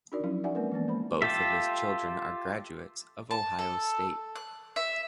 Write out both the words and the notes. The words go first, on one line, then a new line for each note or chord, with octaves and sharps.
Both of his children are graduates of Ohio State.
D4 D#4 F#4 A#4 D5
F3 F#3 C#4 E4
D#4 F#4 D5 E5 F#5 G#5
G#3 A#3 C4 A#4 B4
E3 F3 A#3 B3
G#3 A#3 C5 B5
F4 G4 A4 E5
A5
A4
F#6
E5